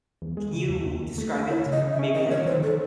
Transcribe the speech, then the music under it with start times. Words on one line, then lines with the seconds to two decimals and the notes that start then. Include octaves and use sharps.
Can you describe it? Maybe I do.
0.22 E2
0.37 G#3
0.54 C#3
0.70 E2
0.86 D#2
1.02 D#2
1.18 A3
1.34 A3
1.50 E4 C#5
1.66 C#3
1.72 D#5
1.83 C#3
1.93 E5
1.99 C#4
2.14 D#3 D#5
2.31 D#3 C#5
2.46 D#3 C5
2.63 D#3 A4